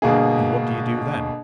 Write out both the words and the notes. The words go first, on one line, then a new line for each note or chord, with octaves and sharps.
"And what do you do then?"
G1 B2 A#3 G#4